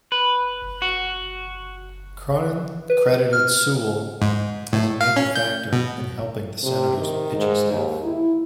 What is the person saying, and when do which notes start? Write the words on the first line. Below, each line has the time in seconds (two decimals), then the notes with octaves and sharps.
Cronin credited Sewell as a major factor in helping the Senators' pitching staff.
0.12 B4
0.82 F#4
2.90 B4
3.33 F6
4.21 G#2
4.73 A2
5.01 F5
5.16 C#4
5.35 G6
5.72 B2
6.63 C3
6.98 D#3
7.36 G#2
7.72 D#2
8.04 E4